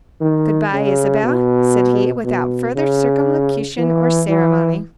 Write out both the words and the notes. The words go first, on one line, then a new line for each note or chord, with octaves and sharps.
"Good-bye, Isabel," said he, without further circumlocution or ceremony.
D#3
C#3
B2
B2
C#3
E3
E3